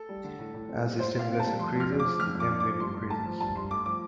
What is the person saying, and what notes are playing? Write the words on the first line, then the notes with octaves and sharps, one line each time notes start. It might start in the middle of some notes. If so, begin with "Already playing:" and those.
As the stimulus increases the M-wave increases.
Already playing: A4
G3
D3
A2
A2
C4
G3
A2 C5
A2 F5
C4
G3 A5
F2 C6
F2
F6
D4
D6
F3
F2 F6
F2
D6
D4
D6
F3
G2 C6
G2
A3 A5
F3
G2 A5
G2 C6
A3 D6
F3 D6